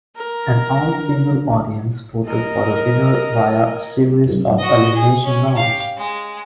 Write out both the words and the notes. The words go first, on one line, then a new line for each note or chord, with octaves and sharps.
An all-female audience voted for the winner via a series of elimination rounds.
A#4
D3
A#4 D#5
F#4 D#5
G#4
C#4
G4 F5
G#3